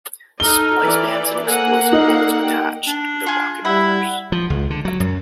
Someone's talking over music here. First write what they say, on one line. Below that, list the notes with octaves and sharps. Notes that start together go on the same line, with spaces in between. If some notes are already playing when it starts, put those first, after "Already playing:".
Splice bands and explosive bolts attached the rocket motors.
D#4 A4 A#5 F6 G7
E3 D5
A#3 A4 A#4 C5 F#5 G#5
D#4 A4 D5 F5
G4 G5
D4
F4 G#4
G3 E4 E5 F#5 B5
F3
C#2
D3
F#3
F#2